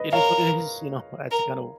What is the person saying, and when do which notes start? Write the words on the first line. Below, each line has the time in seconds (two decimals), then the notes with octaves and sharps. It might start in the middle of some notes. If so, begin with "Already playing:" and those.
It is what it is, you know, I had to kind of,
Already playing: B4 D#5
0.13 A#4 C#5 F5
1.31 A#4